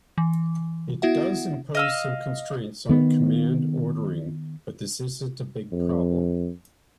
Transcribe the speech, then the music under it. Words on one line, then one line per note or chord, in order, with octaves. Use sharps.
It does impose some constraints on command ordering, but this isn't a big problem.
E3
B3 E4 F#4 E5 F#5
D#5 F5 E6
D#3 B3
F2